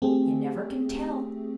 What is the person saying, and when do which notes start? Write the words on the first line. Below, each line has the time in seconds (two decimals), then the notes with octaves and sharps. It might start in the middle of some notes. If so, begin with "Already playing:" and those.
You never can tell.
0.02 A3 C4 G4 G#4